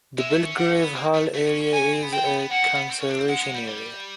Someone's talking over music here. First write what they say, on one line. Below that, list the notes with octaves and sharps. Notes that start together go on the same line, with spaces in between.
The Belgrave Hall area is a conservation area.
G#3 E5
A3
C#4
D4 F#5
C#4
B3
A#3
A3
A3
C#4
C#4
C#4 G#5
C#4
C4
B3
C4 G5
B3
B3
A#3 F#5
A#3
B3
C4
C#4
D4
C4
G#3 F#5
G#3
G3
G3